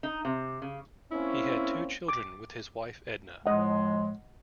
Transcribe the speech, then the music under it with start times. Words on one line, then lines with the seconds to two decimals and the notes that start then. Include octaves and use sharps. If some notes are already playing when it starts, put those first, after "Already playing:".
He had two children with his wife, Edna.
0.03 D#4
0.25 C3
0.62 C#3
1.12 A#3 C4 C#4 E4
2.08 D6
3.46 A2 F3 G#3 D#5 F#5